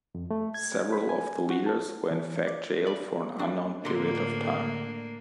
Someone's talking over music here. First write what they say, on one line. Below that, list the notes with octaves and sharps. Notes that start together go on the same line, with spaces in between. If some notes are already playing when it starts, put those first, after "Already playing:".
Several of the leaders were in fact jailed, for an unknown period of time.
F2
A3
G#6
B5
G#5
F#4
A5
E3
D5
D5
D4
A2 D3 A#3 D4 C6